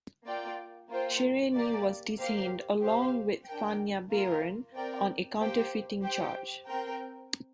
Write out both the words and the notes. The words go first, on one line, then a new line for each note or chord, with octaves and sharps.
Chernyi was detained along with Fanya Baron on a counterfeiting charge.
A#3 F4 D5 G5
A#3 F4 C5 G5
A#3 G4 D5
A#3 G4 C5 F5
G4 C5 F5
D4 A#4 G5
A#3 F4 A#4
C4 A#4 D5 G5
A#3 G4 C5 G5
G4 C5 G5
C4 A#4 G5